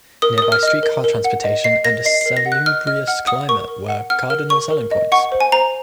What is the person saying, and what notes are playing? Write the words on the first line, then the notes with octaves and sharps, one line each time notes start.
Nearby streetcar transportation and a salubrious climate were cardinal selling points.
A#4 D#6
A#4 D#6
F6
D#5 F6
A#4
A#4
F#5
D#5
D#5 C7
A#4 A#6
D#5 C7
A#4 C7
A#6
F#5
F#6
D#5 F6
D#5 F6
F#5 F6
F#5 D#6
A#4 C#6
A#4
F#5
F#5 F6
A#4 F6
A#4 C#6
A#4
D#5
F#5 C#6
C5
G#5
C5 A#5